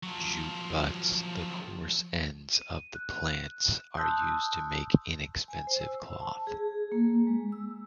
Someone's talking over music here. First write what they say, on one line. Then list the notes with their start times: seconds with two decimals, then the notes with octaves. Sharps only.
Jute butts, the coarse ends of the plants, are used to make inexpensive cloth.
0.03 F3 F#3
2.53 D#7
2.95 F#6
3.97 A5 C6 D#6 E6 F#6 G6
5.48 G#5
5.67 C5
5.81 E6
6.20 A5
6.47 G#4
6.92 A#3
7.27 G#3
7.52 E6